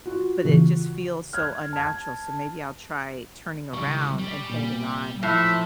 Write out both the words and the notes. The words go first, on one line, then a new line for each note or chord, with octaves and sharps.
but it just feels so unnatural, so maybe I'll try turning around and holding on,
F4 F#4
A#2 C#3 E3
F6 F#6 G#6
A5 G#6
C#2 G3 C#6
G3
A#2
A2 F3 E5